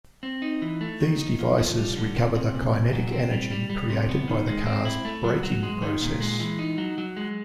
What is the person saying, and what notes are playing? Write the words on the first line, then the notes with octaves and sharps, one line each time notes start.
These devices recover the kinetic energy created by the car's braking process.
C4
D#4
E3
A3
D#3
D#4
F3
F3
G3
D3
C3
C3
A#2
A#2
F#3
C4
G3
G3
G3
C3
B3
D#3
G#3
C4
E4
A3
F#3
F#3
G#3
D#3
A#2
G#3
E3
D#4
F#3
F#3
G#3